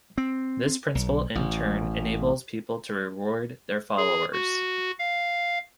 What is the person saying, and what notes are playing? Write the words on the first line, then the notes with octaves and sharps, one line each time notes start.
This principle, in turn, enables people to reward their followers.
C4
B1
A1
G#4
F#4
F5